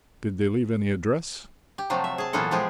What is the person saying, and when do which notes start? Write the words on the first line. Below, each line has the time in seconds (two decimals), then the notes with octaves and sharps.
"Did they leave any address?"
1.78 G4
1.90 C3 F3 F#3 A3
2.04 E5
2.18 G#4 A5
2.33 A#2 E3 F#3 B3 F4 A4
2.51 F3 G#3 G4 G#4